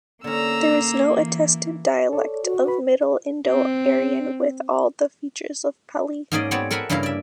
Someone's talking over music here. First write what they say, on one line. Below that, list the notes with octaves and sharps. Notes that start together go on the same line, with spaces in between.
There is no attested dialect of Middle Indo-Aryan with all the features of Pali.
D3 A#3 C#4 A#5 E6
E3
A4 C#5 D5
F#4
B4 B5
C4
G#2 A#3 C#4 G#4 D5 D#5
B3 C4 F#4 C#5 D5
A4 A#4 E5 F#5 G#5 B5
G2 C#3 A#3 E4 F5 A#5
D5 E5